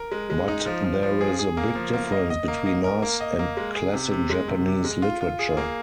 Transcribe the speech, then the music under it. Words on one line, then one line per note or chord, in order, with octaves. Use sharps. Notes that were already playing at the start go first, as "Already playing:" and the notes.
But there is a big difference between us and classic Japanese literature.
Already playing: A#4
G#3
G#3
D#4
F3
F3
F3
G#4
G#4
A#3
F3
A#3
D#5
D#5
A#3
D#5
A#4
A#3
D#5
A#3
G#3
G#4
C3
C3
G#3
C3
C3
G#3
F4
F4
G#4
A#3